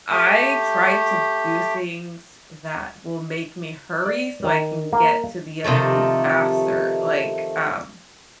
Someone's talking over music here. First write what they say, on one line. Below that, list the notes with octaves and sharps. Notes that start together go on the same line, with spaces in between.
I try to do things that will make me hurry so I can get to the other thing faster. Like, um,
A3 G4
D5
D#3
A#3
C3 D#3 F3 A3